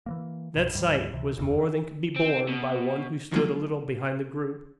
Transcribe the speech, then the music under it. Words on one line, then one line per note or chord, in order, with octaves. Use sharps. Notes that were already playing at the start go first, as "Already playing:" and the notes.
That sight was more than could be borne by one who stood a little behind the group.
E3 F3 A#3
C2 G2 B2
D2 G#2 G3
C#2 C3 E3
F#1 E2
E3
C4
B2
D#3 F3 F#3 G#3 A#3 F4